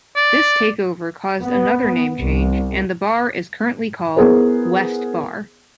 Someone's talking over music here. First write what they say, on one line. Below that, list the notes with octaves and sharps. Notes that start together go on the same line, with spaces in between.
This takeover caused another name change and the bar is currently called 'West Bar'.
D5
B3
C2
B3 E4 G#4 A#4 C5